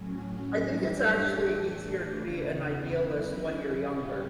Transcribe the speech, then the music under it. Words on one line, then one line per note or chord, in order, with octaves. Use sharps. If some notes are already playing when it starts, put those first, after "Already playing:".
I think it's actually easier to be an idealist when you're younger,
Already playing: A2 F#3 C#4
F#2 E3 G3 D4 G4
A2 E3 A3 D4
E2 C#3 E3 B3
D3 F#3 C#4 E4
A2 G3 C#4 G4